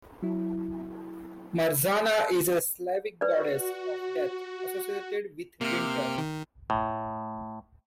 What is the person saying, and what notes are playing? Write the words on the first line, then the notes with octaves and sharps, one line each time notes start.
Marzanna is a Slavic goddess of death, associated with winter.
F#3 E4
F#4 B4 D5
C3 A#3 F6
D#3
A2